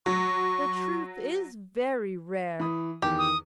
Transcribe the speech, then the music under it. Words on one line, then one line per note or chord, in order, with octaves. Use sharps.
The truth is very rare.
F#3 C#6
E3 B5 D#6
E2 D#3 G4
D#6